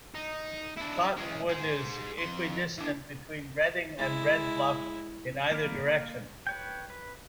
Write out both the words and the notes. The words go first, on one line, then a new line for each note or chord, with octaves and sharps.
Cottonwood is equidistant between Redding and Red Bluff, in either direction.
D#4
D4 E4
G#3 C#4
G#4 C5
F2 C6
E3 D4
G#3 E4
A#3 A#4 D5 F5 B5
B4 C#5 G5
B4